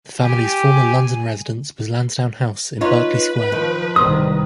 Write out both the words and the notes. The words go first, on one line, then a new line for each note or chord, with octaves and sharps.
The family's former London residence was Lansdowne House in Berkeley Square.
G4 G#5
D#4 F4 B4 C#5
D#3 F3
C2 G#2 D#3 C5 D#6